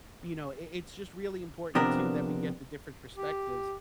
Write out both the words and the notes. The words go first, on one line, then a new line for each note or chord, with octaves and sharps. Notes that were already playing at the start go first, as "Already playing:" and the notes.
you know, i it's just really important too that we get the different perspectives
F2 C3 B3 D4 A#4
G4